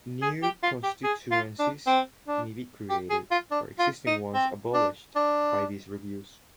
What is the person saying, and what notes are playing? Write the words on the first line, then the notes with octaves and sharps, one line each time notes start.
New constituencies may be created, or existing ones abolished, by these reviews.
G#4
G4
F4
G4
G#4
F4
D4
C4
D4
G4
G#4
F4
D4
F4
D#4
C4
D4
D4